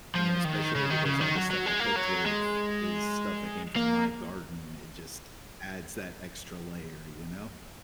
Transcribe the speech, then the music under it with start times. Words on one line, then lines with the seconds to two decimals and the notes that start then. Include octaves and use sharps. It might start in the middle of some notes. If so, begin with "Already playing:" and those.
And then especially because all the stuff I cooked with is stuff that came from my garden, it just adds that extra layer, you know?
0.16 F3
0.45 D#3
0.75 C#3
0.90 D#3
1.05 C#3
1.21 D#3
1.36 F#3
1.51 F#3
1.66 G#3
1.80 A#3
1.96 F#3
2.26 G#3
3.76 A#3